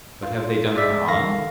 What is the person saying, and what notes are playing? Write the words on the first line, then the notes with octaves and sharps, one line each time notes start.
But have they done her harm?
F4
G#3 D5 E5
D#3 A4 F5 A#6